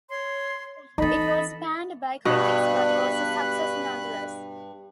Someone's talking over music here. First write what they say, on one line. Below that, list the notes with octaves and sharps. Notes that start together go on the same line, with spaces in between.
It was panned by critics but was a success nonetheless.
C#5 C6
E3 C4 D#4 A4 D#5 B5
G2 B2 B4 B5 F#6